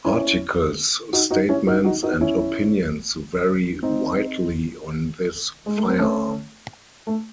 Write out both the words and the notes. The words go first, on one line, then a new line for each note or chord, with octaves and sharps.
Articles, statements, and opinions vary widely on this firearm.
C#4 E4
D#4 F#4
D#4 F#4
C#4 E4
D#4 F#4
D#4 F#4
D#4 F#4
C#4 E4
C4 D#4
G#3
A3
C4
A3 C#4
A3